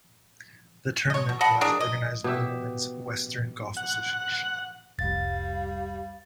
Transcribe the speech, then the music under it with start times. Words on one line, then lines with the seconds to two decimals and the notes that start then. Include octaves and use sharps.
The tournament was organized by the Women's Western Golf Association.
1.10 C#5 D#5
1.29 B2
1.41 D#5 F#5 A5 B5
1.61 D4 G#4 A#4
1.81 D#5
2.24 B2 G4 E5
3.77 F#5
4.99 F1 C2 G3 F5 A6